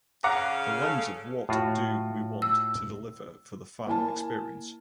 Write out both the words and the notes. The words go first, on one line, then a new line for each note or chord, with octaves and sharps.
The lens of what do we want to deliver for the fan experience?
C#3 F5 F#5 A#5 D6
A4
A2 F4 F#4
E6
A#3 E4 G#5 A5